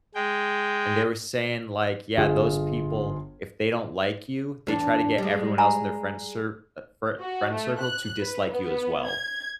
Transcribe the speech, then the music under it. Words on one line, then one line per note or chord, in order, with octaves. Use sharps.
and they were saying, like, yeah, those people, if they don't like you, they try to get everyone else in their friend cir uh, fri friend circle to dislike you as well.
G#3 G5
G1 F4 G#4
E2 D4
G3 G#3
G#5 A#5 B5
F#4
A3
F#6
B4
B3
G#6